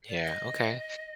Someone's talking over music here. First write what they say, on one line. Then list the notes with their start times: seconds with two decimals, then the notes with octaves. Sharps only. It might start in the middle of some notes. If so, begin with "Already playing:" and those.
Yeah, okay.
0.08 D5
0.25 D#5